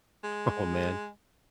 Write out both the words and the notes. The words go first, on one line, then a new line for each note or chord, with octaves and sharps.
Oh, man.
G#3